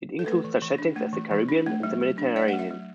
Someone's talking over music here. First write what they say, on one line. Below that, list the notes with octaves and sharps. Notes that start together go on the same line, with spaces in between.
It includes such settings as the Caribbean and the Mediterranean.
A4
A3 B4
E3
E3
D4
A3
E3
E3
D4
A3
F#3
F#3
D4
A3 D5
F#3 F#5
E5
F#3